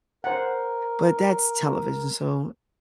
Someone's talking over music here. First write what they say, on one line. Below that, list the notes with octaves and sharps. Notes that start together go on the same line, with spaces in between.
But that's television, so
A#4 C5 F#5